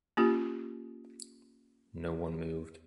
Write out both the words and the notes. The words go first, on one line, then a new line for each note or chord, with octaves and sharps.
No one moved.
A#3 C#4 F4 G4